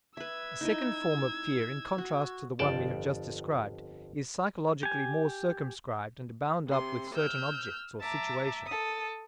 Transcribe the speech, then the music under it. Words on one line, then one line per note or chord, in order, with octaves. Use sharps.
A second form of fear in contrast to the one we have just described is psychologically more circumscribed and bound up with certain objects or situations.
B4 E5 E6 G#6
D#4 E4 D#5
F#4
G1 F2 D5 G5 A5
G4 G#5
C3 C6
E6 F6 G6
E5 A5 A#5 D6
A4 D#6